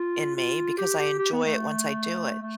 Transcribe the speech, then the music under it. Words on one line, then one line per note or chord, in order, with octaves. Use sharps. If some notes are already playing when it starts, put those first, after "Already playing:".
in me, because I enjoy it once I do it.
Already playing: F4
F4
G4
G4
G4
B3
A3
A3